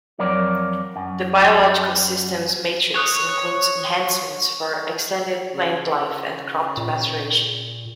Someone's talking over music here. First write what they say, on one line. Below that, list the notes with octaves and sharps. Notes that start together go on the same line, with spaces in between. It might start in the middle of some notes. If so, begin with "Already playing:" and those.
The biological systems matrix includes enhancements for extended plant life and crop maturation.
F2 F#3 A#4 C#5 D5
F#2
C#5 C#6 D#6 F#6
C#3
A#2